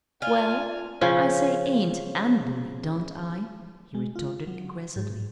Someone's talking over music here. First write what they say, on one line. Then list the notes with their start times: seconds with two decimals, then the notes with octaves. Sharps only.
"Well, I say 'ain't' an' 'bully'; don't I?" he retorted aggressively.
0.22 F4 D5 G#5
1.01 C#3 F3 C#4
3.95 G#3
4.15 F4
4.47 F#3
4.96 G#2